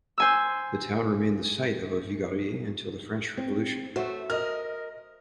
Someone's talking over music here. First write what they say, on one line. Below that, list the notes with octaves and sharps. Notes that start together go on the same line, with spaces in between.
The town remained the site of a "viguerie" until the French Revolution.
C5 G#5 E6
C4
A3 F#4 C5 E5
A#4 D#5 F6